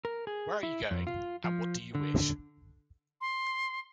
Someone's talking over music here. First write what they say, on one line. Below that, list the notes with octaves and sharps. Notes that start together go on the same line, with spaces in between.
Where are you going, and what do you wish?
A#4
G#4
E4
F2
F4
F3
D3
C6